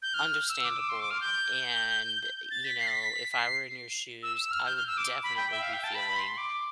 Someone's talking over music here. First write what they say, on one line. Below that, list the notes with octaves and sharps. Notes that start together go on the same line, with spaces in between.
understandable, and, you know, if I were in your shoes, I would definitely be feeling
G6
F6
E6
D6
E6
C6
D6
F6
G6
A6
B6
C7
A6
B6
C7
E6
E6
F6
G6
F6
E6
D6
B5
G5
E5
F5
G5
A5
B5
C6
D6